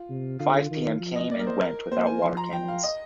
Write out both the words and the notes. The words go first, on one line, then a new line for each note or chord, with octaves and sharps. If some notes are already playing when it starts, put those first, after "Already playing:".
Five p.m. came and went without water cannons.
Already playing: F4
C3
D3 F4
D#3
F3
D#5
A#3 D5
A#4
C5
A#4
A#3 C5
G#5
F3 C6
A#5
F3 G5
F5
D#5